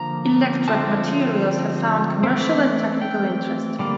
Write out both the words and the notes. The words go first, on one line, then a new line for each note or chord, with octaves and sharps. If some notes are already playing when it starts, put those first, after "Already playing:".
Electret materials have found commercial and technical interest.
Already playing: D3 F3 A#3 A#5
D3 F3 A3 C4 A5
E3 A3 C4
G5
D3 G3 A#3